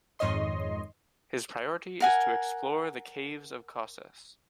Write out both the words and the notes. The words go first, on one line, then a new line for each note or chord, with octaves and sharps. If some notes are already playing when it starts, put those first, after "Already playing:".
His priority is to explore the caves of Causses.
F2 G#2 D#3 C#5 D#5 C6
A#4 F#5 G#5